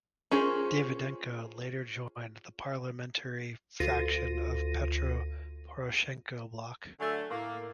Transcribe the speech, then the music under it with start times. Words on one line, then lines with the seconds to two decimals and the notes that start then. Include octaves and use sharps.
Davydenko later joined the parliamentary faction of Petro Poroshenko Bloc.
0.31 C#4 F4 G#4 A#4 C5
3.80 D2 F4 A#6 D#7
7.00 D3 F#3 A3 G#5 E6 A6
7.31 A2 A#3 E4